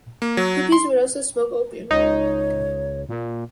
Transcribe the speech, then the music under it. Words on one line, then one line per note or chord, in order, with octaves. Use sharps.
Hippies would also smoke opium here.
A#3
F#3
C6
C#2 D#4 C#5
A#2